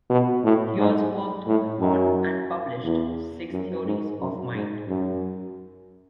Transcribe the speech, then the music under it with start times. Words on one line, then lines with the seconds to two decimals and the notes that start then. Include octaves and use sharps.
He also worked on and published "Six Theories of Mind".
0.10 B2
0.44 A2
0.78 G#2
1.46 A2
1.80 F#2
2.83 E2
3.52 F#2
3.86 G#2
4.19 F#2
4.54 G#2
4.88 F#2